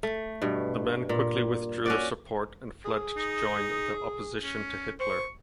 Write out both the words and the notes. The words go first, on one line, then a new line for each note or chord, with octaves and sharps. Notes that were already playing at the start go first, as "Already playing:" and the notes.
The men quickly withdrew their support and fled to join the opposition to Hitler.
A3
G2 B2
A#2
C#4 F#4 D5
G#4
D#4
C#4
C5 C#6